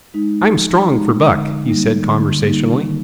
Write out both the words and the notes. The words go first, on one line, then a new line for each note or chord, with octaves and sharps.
"I'm strong for Buck," he said conversationally.
G#3 D#4
F3
G#3 D#4
D3
G3 A#3 D#4
D3
G3 A#3 D#4
D#3